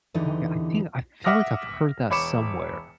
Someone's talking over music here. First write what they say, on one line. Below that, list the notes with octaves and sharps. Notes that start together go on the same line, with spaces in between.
Okay, I think I feel like I've heard that somewhere.
E2 D3 E3 D#4 G4
E5 F#5 D6 D#6 F6 A#6
E1 C#5 B5 D6 C#7 E7